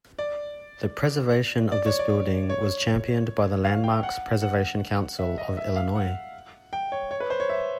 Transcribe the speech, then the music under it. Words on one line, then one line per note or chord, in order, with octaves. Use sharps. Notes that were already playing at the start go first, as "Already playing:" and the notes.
The preservation of this building was championed by the Landmarks Preservation Council of Illinois.
D5
D5
C#5
D5
C#5
F5
G5
F#5
F#5
E5
D#5
E5
F5
F#5
G5
C#5
C#5
B4
C5
C#5
E5